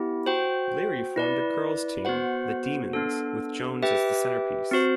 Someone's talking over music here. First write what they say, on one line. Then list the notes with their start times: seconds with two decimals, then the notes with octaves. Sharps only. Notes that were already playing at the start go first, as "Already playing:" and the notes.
Leary formed a girls team, the Demons, with Jones as the centerpiece.
Already playing: B3 E4 G4
0.26 F#4 C5 G5
1.16 E4 B4 D5
2.05 B3 F#4 C5 F#5
2.93 B3 D4 A4
3.83 G4 B4 E5 G5
4.71 C4 F#4 C5